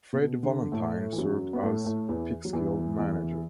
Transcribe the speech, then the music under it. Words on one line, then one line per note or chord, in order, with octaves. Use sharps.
Fred Valentine served as Peekskill manager.
B2
D3
A2 A3
E3
F#2 F#3
B3
A2 A3
A2 A3
E2 E3
F#3
E2 E3
E2 E3